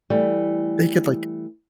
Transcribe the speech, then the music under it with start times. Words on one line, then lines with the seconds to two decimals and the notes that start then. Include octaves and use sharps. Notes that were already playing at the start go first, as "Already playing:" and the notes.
They could like
0.10 E3 G3 A3